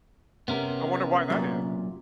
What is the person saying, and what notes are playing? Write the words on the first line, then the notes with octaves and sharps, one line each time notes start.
I wonder why that is.
C3 B3 C#4 A#4
F#2 A#2